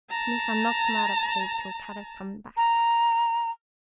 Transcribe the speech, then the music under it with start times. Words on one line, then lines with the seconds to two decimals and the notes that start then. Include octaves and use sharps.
Missa not come out of cave till Kadok come back.
0.10 A5 A#5
2.57 A#5